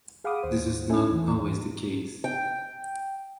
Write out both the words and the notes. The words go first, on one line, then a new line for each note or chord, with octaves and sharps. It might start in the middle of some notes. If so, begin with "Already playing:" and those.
This is not "always" the case.
G#4 F5 F#5 B5 D6 D#6
D#2 C5
C#4 D#4 E4 A4 G#5
E2 E3
G5